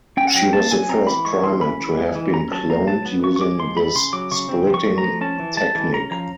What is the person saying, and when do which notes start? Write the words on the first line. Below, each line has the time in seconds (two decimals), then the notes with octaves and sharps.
She was the first primate to have been cloned using this "splitting" technique.
0.17 C#4 G5
0.27 F#5
0.35 F#3 G5
0.53 A#3 A5
0.71 F#3 G#5
0.89 C4 A#5
1.07 E3 B5
1.25 G#3 C#6
1.43 E3 C6
1.61 C#4 B5
1.80 E3
1.97 G#3
2.15 E3
2.33 C#4 A#5
2.51 F#3 A5
2.70 A#3 A#5
2.87 F#3 A5
3.05 B3
3.23 F3 C#6
3.36 C#6
3.41 G#3 D6
3.59 F3 C6
3.77 A3 B5
3.95 C#3 C6
4.13 F#3 D6
4.31 C#3 C#6
4.49 C4
4.67 F3
4.74 C#6
4.86 A3
4.98 A#5
5.03 F3
5.21 C#4 A5
5.39 E3
5.57 G#3 A5
5.75 E3
5.93 C#4 A#5
6.11 F3 A#5